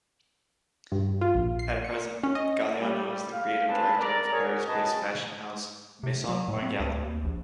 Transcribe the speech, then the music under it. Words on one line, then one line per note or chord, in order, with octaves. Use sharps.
At present, Galliano is the creative director of Paris-based fashion house Maison Margiela.
G2
F4
A#1
C7
C#7
C#4
D#5
G3
F5
C4 D4 G#4 B4 A5
A#4 D5 A#5
F#4 G#4 A#4 C#5
C#4 F#4 G#4 B4 D#5 A5
C3
F#3
A2
C4
D2
D#2
A#1